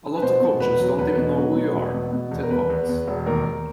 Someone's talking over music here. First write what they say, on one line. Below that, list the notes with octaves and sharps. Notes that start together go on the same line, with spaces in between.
A lot of coaches don't even know who you are, said Fouts.
B4
B2 C5
B2
E1 B4
F#3
E2 B4
B2
F#3
B2
E1
B2
B2
E2
A#4
E2 B4
E2
E2
E1
D#2 A#4
D#2